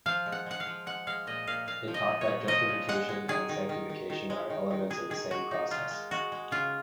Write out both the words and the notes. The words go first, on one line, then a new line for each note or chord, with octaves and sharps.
It taught that justification and sanctification are elements of the same process.
F3 F5
G#3
F#5
G#3 F#5
F5
F3
G#3 F#5
G#3 F5
A#2 D#5
A#2 F5
A#2 F5
F3
D#5
A#2
C#5
A#2
F3 D#5
A#2
G#3 F#5
G#3
D#3 G#4
D#3
D#3
D#3
D#3
G#3
D#3
D#3
G#3 G#4
D#3 G#4
G#3 F#4
D#3 D#4
G#3 F4
G#3
G#3 F#4
G#3
C#3 F4